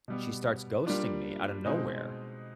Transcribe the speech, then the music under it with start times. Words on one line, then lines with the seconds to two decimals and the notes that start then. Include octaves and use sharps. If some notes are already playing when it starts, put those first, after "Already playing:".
she starts ghosting me out of nowhere,
0.08 B2 G3 B3
0.86 G3 A#3 D4 F4
1.65 B2 G#3 C4 D#4